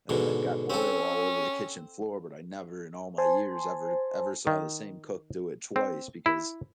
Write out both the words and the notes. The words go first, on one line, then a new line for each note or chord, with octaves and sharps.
and then they've got oil all over the kitchen floor, but I never in all my years ever ever saw the same cook do it twice because
G#2 B2 D3
C4 C#4 A4
C5 G#5 A5 C6
D#3
C4
E4